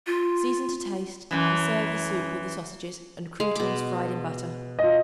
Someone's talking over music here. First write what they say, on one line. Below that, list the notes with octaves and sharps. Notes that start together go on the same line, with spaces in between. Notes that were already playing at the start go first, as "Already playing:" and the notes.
Season to taste and serve the soup with the sausages and croutons fried in butter.
F4
F#2 E3
G#3 F5
B2 D6
F4 D#5